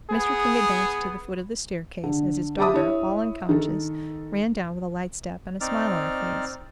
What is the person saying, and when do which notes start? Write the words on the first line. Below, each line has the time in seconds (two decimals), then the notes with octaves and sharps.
Mr. King advanced to the foot of the staircase as his daughter, all unconscious, ran down with a light step, and a smile on her face.
0.10 B3 G#4
2.04 D3
2.58 G4 E5 A5 B5 D6 D#6
2.74 E4 C#5 E5
3.49 D#3 A4
5.61 C4 D#4 D5 F6